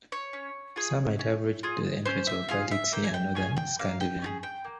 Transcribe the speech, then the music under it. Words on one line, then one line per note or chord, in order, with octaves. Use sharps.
Some might have reached to entrance of Baltic Sea and northern Scandinavian.
C#5
C#4
F4 G#4
C#4
F4 G#4
C#4 C5
E5
F4 G#4 F5
E5
A#3 G5
G#5
G5
C#4 F4 G#4 G#5
G5
A#3 F5
G5
C#4 F4 G#4
G5
A#3